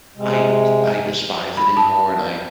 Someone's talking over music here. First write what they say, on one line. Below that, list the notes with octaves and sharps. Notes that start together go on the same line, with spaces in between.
I t I despise it anymore, and I
C3 G#3
B5
A5